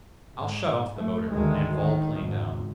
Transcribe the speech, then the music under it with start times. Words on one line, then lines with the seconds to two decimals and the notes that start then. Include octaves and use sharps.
"I'll shut off the motor, and vol-plane down."
0.37 G#2
0.95 A3
1.30 D2 D#3 G#3
1.76 D#3
2.20 G#1 C#2 G#2